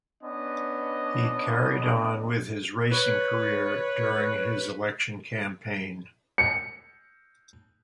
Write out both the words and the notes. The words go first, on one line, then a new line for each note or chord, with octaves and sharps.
He carried on with his racing career during his election campaign.
B3 C#4 D4 D#5
B4 C#5
C#7